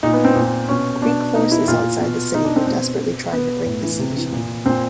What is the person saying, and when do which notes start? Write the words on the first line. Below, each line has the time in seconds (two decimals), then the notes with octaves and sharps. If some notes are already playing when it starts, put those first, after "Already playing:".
Greek forces outside the city were desperately trying to break the siege.
0.03 A#2 D#4
0.13 B3
0.25 C4
0.36 A#2
0.68 B2 C#4
1.02 B2 D4
1.34 B2 D#4
1.52 E4
1.68 A#2 F4
2.01 B2
2.34 B2 D#4
2.45 D4
2.56 C4
2.67 B2 C4
3.00 B2
3.33 B2 B3
3.66 A2
3.83 E3
3.99 C3
4.16 E3
4.32 A#2
4.66 A#2 C4